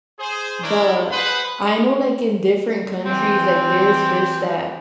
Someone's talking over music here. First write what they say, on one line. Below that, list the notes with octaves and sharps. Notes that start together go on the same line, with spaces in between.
but I know like in different countries, like there's fish that
G#4 C5
D4 E4 A#4 C#5 D5
G#4 B4 C5 F#5 B5 C6
E3 G3 C4